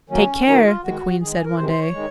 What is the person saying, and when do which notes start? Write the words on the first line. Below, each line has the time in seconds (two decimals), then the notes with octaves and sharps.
"Take care," the Queen said one day.
0.10 D#3 F#3 A#3 C#4
0.47 D#3 F#3 A#3 D#4
0.64 F4
0.83 D#3 G#3 F#4
1.20 D#3 G#4
1.25 G#3
1.33 G#4
1.44 A#4
1.56 C3 D#3 G#3 C5
1.69 C5
1.81 C#5
1.93 D#3 G#3